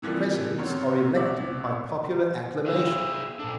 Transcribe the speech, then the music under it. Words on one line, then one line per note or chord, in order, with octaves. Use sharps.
Presidents are elected by popular acclamation.
C3 E3 F3 G3 A#3
G#1 F#2 C4 C#5
C2 B2 D5 E5
G#4 C5 E5 F5
A#2 D4 A4